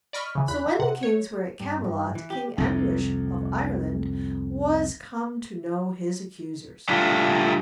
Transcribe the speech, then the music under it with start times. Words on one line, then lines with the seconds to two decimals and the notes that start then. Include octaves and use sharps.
So when the kings were at Camelot King Anguish of Ireland was come to know his accusers.
0.13 D5 D#5 B5 C#6 F6
0.35 C#3 E3
0.48 E2 B5 F#6
0.66 E3
0.79 C3 F#5
1.03 C#5
1.60 G2
1.84 G2
2.15 E3
2.30 G4
2.58 C2 F2
6.89 G3 A3 D4 F4